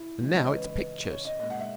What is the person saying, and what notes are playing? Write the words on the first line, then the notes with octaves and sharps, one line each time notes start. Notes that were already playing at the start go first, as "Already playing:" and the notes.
And now it's pictures.
Already playing: E4
C#3 E3 G#3
D#5
C#5
B4
B4
C#5
D#5
A#2 G#3 D#5
F#5
E5